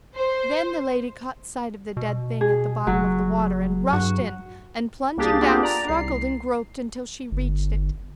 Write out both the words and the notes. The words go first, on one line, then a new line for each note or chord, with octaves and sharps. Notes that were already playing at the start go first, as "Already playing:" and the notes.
Then the lady caught sight of the dead thing at the bottom of the water, and rushed in, and, plunging down, struggled and groped until she reached it.
C5
B2
G#4
F#1 F#3
G2 F#4
C2 A#3 D4 G4 G#4 A6
A#3 B3 D4 F4 G4 G#4
D5 A#5
C2 C7
G1